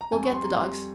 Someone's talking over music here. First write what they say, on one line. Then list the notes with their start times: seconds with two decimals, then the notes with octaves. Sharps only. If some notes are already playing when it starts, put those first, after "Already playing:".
We'll get the dogs.
0.01 A#5
0.12 F2 G#5
0.24 C#6
0.28 G3
0.33 C6
0.43 G3 A#5
0.54 C6
0.59 G3